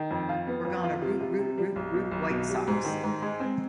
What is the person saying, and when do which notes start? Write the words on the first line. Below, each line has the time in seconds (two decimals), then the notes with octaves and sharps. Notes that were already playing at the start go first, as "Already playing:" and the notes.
We're gonna root-root-root-root White Sox.
Already playing: D#3
0.11 F2
0.29 F4
0.47 B3
0.65 F2
0.83 F4
1.02 C3
1.20 C3
1.39 C3
1.58 G3
1.76 B1
1.94 B2
2.12 B1
2.30 B2
2.49 G3
2.67 G#2
2.85 D#3
3.04 G#2
3.22 G#3
3.40 C4